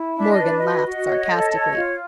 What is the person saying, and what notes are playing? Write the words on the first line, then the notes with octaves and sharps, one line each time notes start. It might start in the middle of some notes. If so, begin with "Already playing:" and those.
Morgan laughed sarcastically.
Already playing: E4
D4 E5
D#5
B4
D5
F#4 D#5
F#4
C#5
A4
C#5
F4